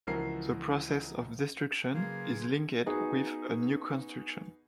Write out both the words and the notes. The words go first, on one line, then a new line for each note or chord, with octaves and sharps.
The process of destruction is linked with a new construction.
C#2 E3 F3 F#4 A#4 C7
C#3 F#3 A#3 G#4 B4 C6 G#6
B3 D#4 F#4 G#4 B4